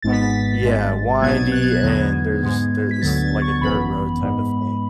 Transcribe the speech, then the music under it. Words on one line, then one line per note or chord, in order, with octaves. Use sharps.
Yeah, windy, and there's there is like a dirt road type of thing.
G#1 G#2 G#3 B3 A6
B6
A6
G#1 G#2 G#3
B1 B2 F#3 B3 G#6
A6
G#6
F#6
G#6
F#6
E2 D3 F#3 B3 G#6
G#2 G#3 B3
B6
D2 D3 F#3 B3 A6
G#6
A6
C#6
G#1 F#2 E3 B3 B5
G#2 G#3 B3